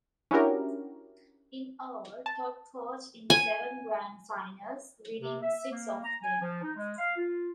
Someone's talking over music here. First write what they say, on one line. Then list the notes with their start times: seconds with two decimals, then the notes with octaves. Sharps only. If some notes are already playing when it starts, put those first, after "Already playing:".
In all, Todd coached in seven Grand Finals, winning six of them.
0.31 C#4 D4 E4 F#4 G4 A#4
2.26 A5
3.30 G#5
5.20 C3
5.41 E5
5.70 A#3
6.04 A#5
6.23 G#5
6.42 F3
6.62 D#4
6.75 G#3
6.98 F5
7.16 F4